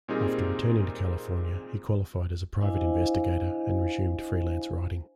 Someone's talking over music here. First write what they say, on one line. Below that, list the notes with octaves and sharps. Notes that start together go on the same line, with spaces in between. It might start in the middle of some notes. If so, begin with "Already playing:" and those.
After returning to California, he qualified as a private investigator, and resumed freelance writing.
A#2 G3 C4 D#4 G#4 A#4
D4 E4 C5 D#5 F5 G#5